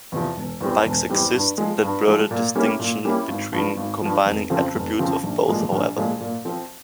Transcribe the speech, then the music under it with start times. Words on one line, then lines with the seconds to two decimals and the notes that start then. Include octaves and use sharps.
Bikes exist that blur the distinction by combining attributes of both, however.
0.12 E2 C3 F3
0.36 E1
0.61 E2 E3 G3 C4
0.85 E1
1.10 E2 E3 G3 C4
1.34 G2
1.58 F3 G#3
1.83 G2
2.07 F3 G#3
2.31 A#2
2.55 G3 A#3 C#4 E4
2.79 A#2
3.05 G3 A#3 C#4 E4
3.28 G#1
3.53 G2 F3
3.77 G#1
4.01 G2 F3
4.26 F1
4.50 F2 C#3 F3 C4
4.74 F1
4.99 F2 C#3 F3 C4
5.23 A#1
5.48 A#2 F3 G#3
5.72 A#1
5.96 A#2 F3 G#3
6.20 A#2
6.45 F3 C4